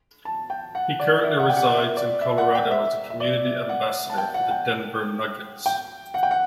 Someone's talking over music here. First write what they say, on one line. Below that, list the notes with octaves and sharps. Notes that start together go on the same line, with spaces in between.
He currently resides in Colorado as a community ambassador for the Denver Nuggets.
A5
G5
F#5
D5
E5
F#5
G5
F#5
E5
D5
E5
F#5
G5
E5
E5
D5
F#5
A5
G5
F#5
G5
G5
F#5
G5
F#5